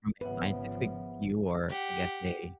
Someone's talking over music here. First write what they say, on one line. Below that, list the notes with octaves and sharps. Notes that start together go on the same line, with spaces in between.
From a scientific view, or I guess a
G#1 C#3 F3 B3 B4 E5 F#5
G4 F#5